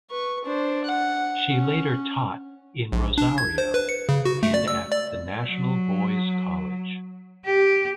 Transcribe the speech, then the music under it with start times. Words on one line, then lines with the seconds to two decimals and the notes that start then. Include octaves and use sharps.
She later taught in Rosario and at the National Boys College.
0.11 B4 C#6
0.44 D4 C5
0.84 F#5
1.51 C#4
2.92 A#1
3.18 D4
3.38 G#6
3.58 C5
3.74 B4
3.89 C#7
4.09 C#3
4.25 F#4
4.43 A3
4.54 D5
4.68 E6
4.92 D5
5.46 F#3
7.45 G4